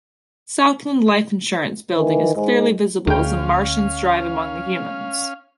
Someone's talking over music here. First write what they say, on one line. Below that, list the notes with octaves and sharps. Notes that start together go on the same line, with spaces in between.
Southland Life Insurance Building is clearly visible as the Martians drive among the humans.
D#3 E3
G#2
D2 G#3 C#4 F5 G5